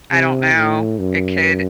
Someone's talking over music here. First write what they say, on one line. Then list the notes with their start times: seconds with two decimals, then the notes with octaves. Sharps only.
I don't know. It could
0.12 C3
0.56 A2
0.99 F#2